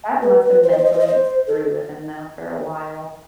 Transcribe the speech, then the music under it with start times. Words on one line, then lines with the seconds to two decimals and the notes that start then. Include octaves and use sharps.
That must have mentally screwed with him, though, for a while.
0.22 B4
0.42 B4
0.63 C5
0.71 D#5
0.78 C5
0.86 D#5
0.93 C5
0.99 D#5
1.08 C5
1.47 A4